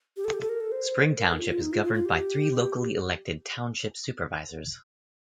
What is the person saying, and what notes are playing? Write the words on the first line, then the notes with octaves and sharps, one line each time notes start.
Spring Township is governed by three locally elected Township Supervisors.
G4
A4
G4
A4
A#4
A4
C5
A4
A#4
A4
D#4
F4
F4
D#4
F4
F4
F4
G4